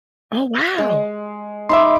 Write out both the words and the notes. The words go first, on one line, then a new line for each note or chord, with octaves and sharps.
Oh, wow.
G#3
D#4 E5 B5 C6 D6